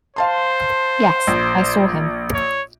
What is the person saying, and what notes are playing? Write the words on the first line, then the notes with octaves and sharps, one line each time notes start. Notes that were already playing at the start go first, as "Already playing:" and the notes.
Yes, I saw him.
C5 F5 A5 C6
A#1
C#5